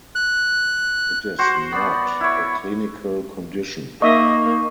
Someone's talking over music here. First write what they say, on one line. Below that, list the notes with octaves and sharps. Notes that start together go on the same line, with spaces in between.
It is not a clinical condition.
F#6
F#4 C5
B3 D5
E4 C#5
A#3 D#4 D#5 E5 C#6